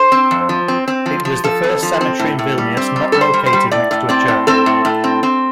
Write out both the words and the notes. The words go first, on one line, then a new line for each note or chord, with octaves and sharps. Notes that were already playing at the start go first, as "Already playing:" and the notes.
It was the first cemetery in Vilnius not located next to a church.
Already playing: C5
C4
F2
F3
C4
C4
F3
F3
F3 A4
F2
F3
C4
A2
A2
G3
C4
G3
G3 A4
C5
G3
C5
G3
A2 D5
A2
C4 D5
A2
C4 A4
A2
A2
C4
C4